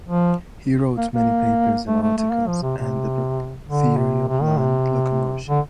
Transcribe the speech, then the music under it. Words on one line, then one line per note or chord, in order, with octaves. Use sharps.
He wrote many papers and articles, and the book "Theory of Land Locomotion".
F3
A#3
A#3
A3
A3
A3
A#3
F3
C3
C3
D3
C3
C3
D#3
C3
D3